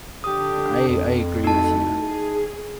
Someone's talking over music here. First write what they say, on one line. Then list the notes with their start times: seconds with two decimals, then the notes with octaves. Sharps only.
I I I agree with you.
0.24 D3 D4 G4 D#6
0.88 F2
1.44 A3 D#4 E4 F#4 A5
2.04 G#4